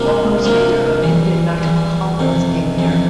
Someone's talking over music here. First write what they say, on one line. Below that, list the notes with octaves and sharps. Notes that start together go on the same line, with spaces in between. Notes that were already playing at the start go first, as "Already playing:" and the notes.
Topmost leader of Indian National Congress came here.
Already playing: C3 G3 A#3 D4 F4
C3 G3 A#3 D4 F4
E2 E3 G3
E2 E3 G3
F2 C3 E3
F2 C3 E3